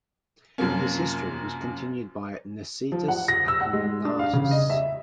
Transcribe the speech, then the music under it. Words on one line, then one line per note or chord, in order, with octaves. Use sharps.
His history was continued by Nicetas Acominatus.
F#2 C3 F3 A#3 C#4
F3
F#5
A#6
E6
F#5
G#3
D4
F5
C#3
D#5
E5